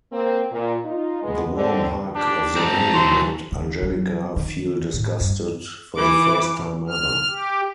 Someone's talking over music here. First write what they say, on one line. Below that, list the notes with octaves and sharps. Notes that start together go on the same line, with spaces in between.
The warm hug of the nanny made Angelika feel disgusted for the first time ever.
A#3 C4
A#2
D#4 F4
G#3 B3
D#2 D3 C4
D4 G4
G#3 C4 A5 A#5
E3 F#3 C5
D3
F#3
D#3
A2
G2
E3 D6
F6
G4